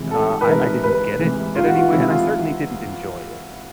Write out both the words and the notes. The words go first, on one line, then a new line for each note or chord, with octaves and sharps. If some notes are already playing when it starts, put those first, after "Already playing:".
Uh, I I didn't get it at any way, and I certainly didn't enjoy it.
Already playing: C3 E3 G#3
A4
B4
C3 E3 G#3 A#4
B4
C3 E3 G#3
F4
F#4
F4
C3 E3 G#3 E4
F4